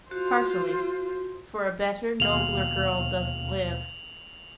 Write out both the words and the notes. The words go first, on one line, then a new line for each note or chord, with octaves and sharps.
'Heartily; for a better, nobler girl doesn't live.
F4 F#4 C5
D#2 B2 F5 F7 F#7